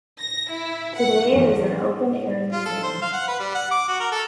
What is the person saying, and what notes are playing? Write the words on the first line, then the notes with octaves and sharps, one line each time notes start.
Today it is an open-air museum.
A#6
E4
F#5
E2
F4
A4
C5
F5
F#5
B4
G3
F#5
D6
F#4
A#4
A4